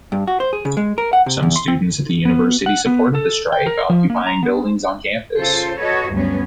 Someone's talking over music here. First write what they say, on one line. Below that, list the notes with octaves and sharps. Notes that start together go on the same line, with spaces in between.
Some students at the university supported the strike, occupying buildings on campus.
G2
F#4
C5
G#4
C#3
G#3
A#4
F#5
C3
E2
C6
C4
B3
F#5
B3
A4
G5
A#4
F3
A#3
A#5
B3
C#3 F4 A4 C5
F#4 A4 B4 C#5 D#5
D2 G2 F#3 G3 B3 C#4